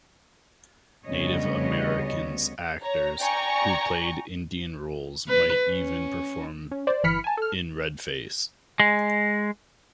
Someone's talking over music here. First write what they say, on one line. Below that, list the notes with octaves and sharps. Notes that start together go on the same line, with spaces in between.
Native Americans actors who played Indian roles might even perform in redface.
D2 C#3 G3 B3 C#5 D#5
C#5 A#5
D5 G5 G#5 A#5 C#6
B4
C#4
C#4
C5 D5
G1 E3 B5 F6 B6 C#7
G#5 A5
A4 F6
G#3